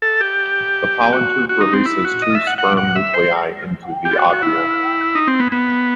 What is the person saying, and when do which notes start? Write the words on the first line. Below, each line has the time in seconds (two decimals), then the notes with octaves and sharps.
The pollen tube releases two sperm nuclei into the ovule.
0.02 A4
0.21 G4
1.13 F#4
1.49 F#4
1.61 D#4
1.73 C4
1.85 E4
2.04 F#4
2.22 D#5
2.35 E5
2.47 F#5
2.58 F#5
2.77 F#5
2.96 E5
3.14 C5
4.05 G4
4.18 F#4
4.30 F#4
4.42 E4
5.15 D#4
5.27 C4
5.40 B3
5.52 B3